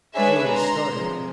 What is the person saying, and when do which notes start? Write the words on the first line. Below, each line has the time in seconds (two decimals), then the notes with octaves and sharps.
Julius started.
0.14 G#3 D4 G#4 B4 C#5 E5
0.50 A#5 C6
0.93 C3 F3 G#3